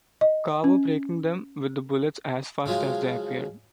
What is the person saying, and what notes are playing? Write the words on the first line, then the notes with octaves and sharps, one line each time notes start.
Carver breaking them with the bullets as fast as they appeared.
D#5
C#4
C#3 F3 F#3 G#3